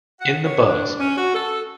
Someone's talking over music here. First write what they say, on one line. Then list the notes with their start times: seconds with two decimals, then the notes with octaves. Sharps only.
In the Buzz!
0.21 F#5
0.44 C#5
0.65 D4
1.00 C#4
1.17 F#4
1.34 A4